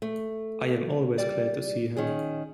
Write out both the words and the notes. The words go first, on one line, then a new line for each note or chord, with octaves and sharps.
I am always glad to see him.
A3
G3 D5
D#3 C#4 G#4